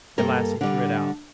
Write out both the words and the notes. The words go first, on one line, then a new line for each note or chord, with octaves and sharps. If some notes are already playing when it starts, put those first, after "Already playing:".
At last he threw it out.
G2 A#3 A4 A#4
D3 G3